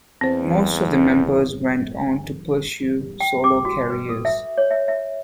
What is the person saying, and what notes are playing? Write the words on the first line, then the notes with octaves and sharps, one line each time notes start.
Most of the members went on to pursue solo careers.
E2 C4 C5
G5
D6
F#4
B4
A4
E5
C#5
E5
E5